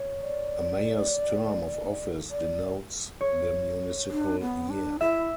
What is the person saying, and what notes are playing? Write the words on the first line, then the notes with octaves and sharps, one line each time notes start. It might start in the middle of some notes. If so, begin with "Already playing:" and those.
A mayor's term of office denotes the municipal year.
Already playing: C#5
D5
D5
C#5
D4
B3
D4
E4 E5